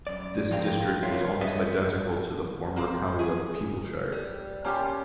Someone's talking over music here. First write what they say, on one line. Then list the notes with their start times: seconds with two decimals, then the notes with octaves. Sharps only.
This district was almost identical to the former county of Peeblesshire.
0.07 F#2 D5
0.51 F3 G4 A#4 F5 G5
1.03 F4 A#4 C#5 E5 F5
1.41 G#4 B4 C#5 D#5 E5
2.76 A#3 C4
3.19 G#4 G#5
4.12 G3
4.64 B2 G3 A#3 C#4 G4 C6